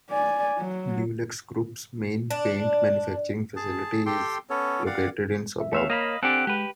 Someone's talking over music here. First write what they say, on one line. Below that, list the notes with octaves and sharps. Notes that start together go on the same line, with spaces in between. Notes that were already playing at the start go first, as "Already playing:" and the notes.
DuluxGroup's main paint manufacturing facility is located in the suburb.
D5 G#5
F#3
D4
G#4 A5
G4 A4 G5 C6
B3 C#4 A4 C#5
G4 D5 F5 F#5
E5
A3 C#5 E5 F5
A#3 D#5 F5 B5
C4 D4 G4 A4 F#5 G#5
G#3 G4 B4